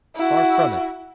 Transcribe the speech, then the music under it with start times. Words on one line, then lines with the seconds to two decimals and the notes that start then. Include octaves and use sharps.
Far from it.
0.16 E4 F#4